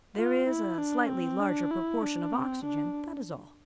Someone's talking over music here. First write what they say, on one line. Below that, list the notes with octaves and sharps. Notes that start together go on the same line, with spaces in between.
There is a slightly larger proportion of oxygen; that is all.
F4
E4
D4
C4
D4
E4
D4
C4
D4